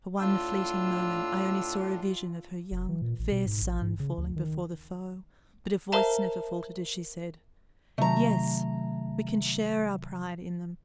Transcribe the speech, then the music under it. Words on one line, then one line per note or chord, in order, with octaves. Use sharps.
For one fleeting moment Ione saw a vision of her young, fair son falling before the foe, but her voice never faltered as she said: "Yes, we can share our pride in them."
A2 D4 F4 E6
F1
E3
A#2
A1
B2
G#2
A1
G#2
C#3
D2
D#3
A#4 C5 E5 F5 A5 A#5
C3 D#3 F#3 A3 A#5